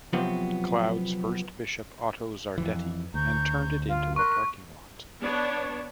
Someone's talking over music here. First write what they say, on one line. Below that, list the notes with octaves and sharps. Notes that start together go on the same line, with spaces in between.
Cloud's first Bishop Otto Zardetti, and turn it into a parking lot.
C3 F3 F#3 B3 C4
F2 E3
D2 A#5 C#6 G6
F4
A#4 C6 C#6 F#6
B3 D4 C#5